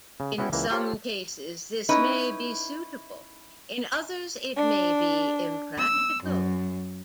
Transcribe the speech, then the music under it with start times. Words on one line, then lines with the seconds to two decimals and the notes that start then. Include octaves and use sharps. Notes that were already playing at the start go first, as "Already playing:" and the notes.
In some cases this may be suitable; in others it may be impractical.
0.20 C#3
0.38 B3 C#4 E4 F#4 C#5 G5
0.52 C#2 E3 A#3
0.71 F4 G4 A4 C5 C#5 F5
1.89 C#4 D#4 E4 B4
4.57 D4
5.79 E6
6.24 F#2